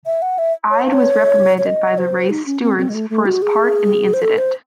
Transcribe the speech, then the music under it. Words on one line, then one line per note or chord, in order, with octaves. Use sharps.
Ide was reprimanded by the race stewards for his part in the incident.
E5
F#5
E5
C#5
C5
C#5
C#5
D#5
C5
D#4
C#4
C4
C4
G#3
A3
A3
F#4
G#4
C5
A4
C5